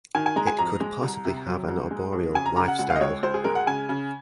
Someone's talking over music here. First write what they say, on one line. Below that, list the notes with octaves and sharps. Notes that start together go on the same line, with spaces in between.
It could possibly have an arboreal lifestyle.
D#3 G#5
G#5
G#3 A#5
G#5
F2 A#5
G#3
C2
C3
F#3
C2
G#3
F2
C#3 G#5
A#5
C#3 A#5
F#5
C#2 F#5
F5
D#5
C#2 C#5
C#2 C5
G#4
G#3 A#4
F#5
C#3 G#5
C#3